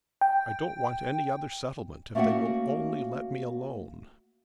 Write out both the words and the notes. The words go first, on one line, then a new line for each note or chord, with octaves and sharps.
I don't want any other settlement,--if they will only let me alone.'
G5
A3 A#3 C#4 F#4 E5 F#5